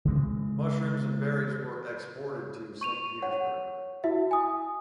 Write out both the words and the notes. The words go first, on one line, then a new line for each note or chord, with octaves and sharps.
Mushrooms and berries were exported to Saint Petersburg.
C#3 E3 G#3 C4
C#6 D#7 F7
C#5 F#5
E4 F#4 E5
G#5 D#6